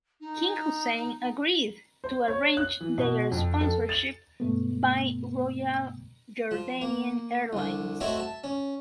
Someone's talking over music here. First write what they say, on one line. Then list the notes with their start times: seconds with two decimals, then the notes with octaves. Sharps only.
King Hussein agreed to arrange their sponsorship by Royal Jordanian Airlines.
0.20 D#4
2.04 C5
2.28 C#5
2.57 F#6
2.81 E3
2.98 B2
3.32 F2
3.61 A4
3.89 A6
4.40 G2 B2 A3 B3
6.51 F3
6.81 A#3
7.53 C2 D3
8.01 A3 C4 F#4 C#5 D#5 E5
8.17 E5 A5
8.44 C#4